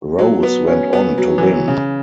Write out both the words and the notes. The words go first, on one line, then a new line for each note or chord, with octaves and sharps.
Rose went on to win.
F#3
B3
C#4
B3
F#3
E3
F#3
C#3